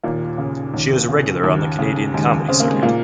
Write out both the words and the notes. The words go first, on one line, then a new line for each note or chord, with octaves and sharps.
She is a regular on the Canadian comedy circuit.
D#2 A#2 A#3
C#3
D#2
C#3
D#2
C#3
D#2 G#3
C#3 C4
A#3
G#3
A#2 A#3